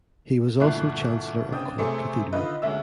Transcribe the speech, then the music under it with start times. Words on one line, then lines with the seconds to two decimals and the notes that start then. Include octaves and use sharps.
He was also Chancellor of Cork Cathedral.
0.60 G1 D2 A#2 E4 F#6 C7
1.52 C#3 C4 D4 G5 D#6
1.78 C3 A3 G#4 C#5 C6 C#7
2.33 D3 D#3 F4 B4 D#5
2.62 D2 G#3 C#4 E5 E6